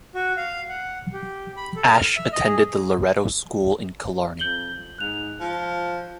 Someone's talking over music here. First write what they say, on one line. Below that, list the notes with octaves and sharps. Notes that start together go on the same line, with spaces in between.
Ashe attended the Loreto school in Killarney.
F#4
F5
F#5
G4
B5
A4
F6
E5
D#5
G#4
F2 G6 F#7 G7
G#2 F#6 F7
F3